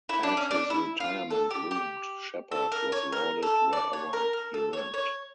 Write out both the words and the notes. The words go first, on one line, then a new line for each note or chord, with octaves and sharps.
As his retirement loomed, Shepherd was lauded wherever he went.
E4
D4
C#4
D4
E4
F4
A4
G4
G4
A4
A#4
C#5
A#4
A4
D5
C#5
A#4
A#4
A4
C#5
C#5